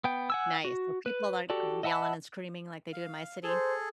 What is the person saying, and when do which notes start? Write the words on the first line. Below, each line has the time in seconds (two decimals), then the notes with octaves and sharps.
Nice, so people aren't c yelling and screaming like they do in my city?
0.04 B3 G5
0.30 F#5 G#5 E6
0.65 F#4
1.06 B4
1.50 F#4 G4 A4 D5
1.83 D#5 E5 F#5 A5 B5
2.93 F5
3.43 G#4 A4 C5